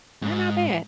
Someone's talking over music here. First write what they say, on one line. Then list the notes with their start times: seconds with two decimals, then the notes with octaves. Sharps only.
they're not bad.
0.22 G#2